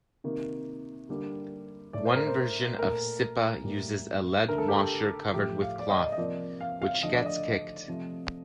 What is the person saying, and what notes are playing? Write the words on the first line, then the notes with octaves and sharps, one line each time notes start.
One version of Sipa uses a lead washer covered with cloth, which gets kicked.
C3 D#3 A#3
D3 G3 A#3
A2 A3 D5
C5
A#4
C5
A#2 A3 A#4
A2 G3 A#3
D3 A3 A#4
A4
G4
A4
A2 F3 A3 G4
F5
D5
D#5
D#5
C3 F3 A#3 D5
F5
F5
D3 F3 A3 D#5
D5
D#5
C3 F3 A3